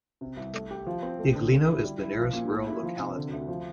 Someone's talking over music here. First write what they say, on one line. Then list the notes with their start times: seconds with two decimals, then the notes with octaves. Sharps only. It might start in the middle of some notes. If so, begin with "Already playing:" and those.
Iglino is the nearest rural locality.
0.21 C3
0.37 C2
0.53 A3
0.71 G4
0.87 F3
1.03 C4
1.19 A3
1.36 D3
1.52 A3
1.69 E4
1.84 G3
2.01 E4
2.18 F3
2.33 A#2
2.50 A3
2.66 E4
2.83 F3
2.99 C3
3.16 D3
3.33 D2
3.48 F3